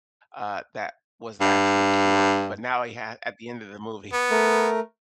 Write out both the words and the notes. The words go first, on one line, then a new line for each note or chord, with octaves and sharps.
uh, that was the actual cure. But now he had at the end of the movie
G2
B3
A3 A#4